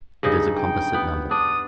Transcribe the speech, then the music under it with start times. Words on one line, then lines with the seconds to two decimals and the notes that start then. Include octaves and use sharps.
It is a composite number.
0.23 G2 C#3 D#4
0.57 G5
0.94 B3
1.31 D4 D#6